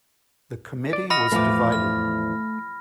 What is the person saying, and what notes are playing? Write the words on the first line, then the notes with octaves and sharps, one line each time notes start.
The committee was divided.
D5
F#4 D#5 B5 F6 A#6
E2 A2 F3 A3 F5 D6
F6